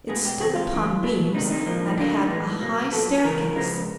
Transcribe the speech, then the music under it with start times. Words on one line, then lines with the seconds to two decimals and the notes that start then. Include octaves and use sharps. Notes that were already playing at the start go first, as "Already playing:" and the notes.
It stood upon beams, and had a high staircase.
0.09 B2 G#3 B3 G#4
0.25 G4
0.40 C#2 C3 E3 G#3 C4 F#4
0.56 F4
0.72 F#2 C#3 E3
1.03 B2 F#3 B3
1.34 C#2 C3 D#3 G3 D#4
1.50 D#4
1.66 A2 F3 A#3
1.87 D#4
1.97 F#2 D3 F#3 A#3 D4
2.14 D#4
2.30 A2 E3 G#3 B3
2.60 C2 B2 F#3 A#3
2.92 A#2 F#3 B3 A4
3.24 C#2 C#3 E3 A#4
3.55 C#2 C#3 F3 G#3 B3